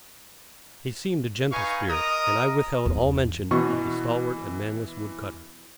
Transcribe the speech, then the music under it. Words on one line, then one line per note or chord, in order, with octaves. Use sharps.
He seemed a gentle spirit, and I withheld all mention of the stalwart and manless wood-cutter.
D#4 B4 F5 G#5 C#6
A#4 D#5 A#5 D#6
E2
B2 E3 C#6